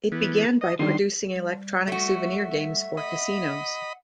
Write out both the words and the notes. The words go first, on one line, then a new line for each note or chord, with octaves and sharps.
It began by producing electronic souvenir games for casinos.
E3 B3
D#5
D3 D#3 G3 C6
G3
A3 F#4 E5
D#5 F#5 B5